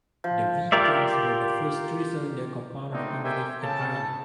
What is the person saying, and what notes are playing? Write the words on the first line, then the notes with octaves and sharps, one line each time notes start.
The V class were the first three-cylinder compound locomotives in Ireland.
F3
F4 G4 A#4 D5 E5
D3 A3 A#3 C4 D4 D#4
G4 A#4 C5 E5 G5 G#5
C#3 A4 A5